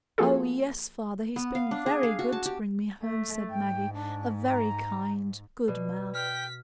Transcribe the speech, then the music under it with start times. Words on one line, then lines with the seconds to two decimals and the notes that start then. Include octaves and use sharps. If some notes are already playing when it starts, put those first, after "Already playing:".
"Oh yes, father, he's been very good to bring me home," said Maggie,--"a very kind, good man!"
0.18 F3 A#3 F4 F#4 G#4 A4
1.36 B3
1.55 F5
1.71 D4
1.86 G#4
2.03 F5
2.19 F#4
2.32 A5
2.45 G4
3.01 A3
3.50 G#2 G5
3.93 D4
4.50 A#5
5.68 B2 B4 D5
6.15 G5 F6 B6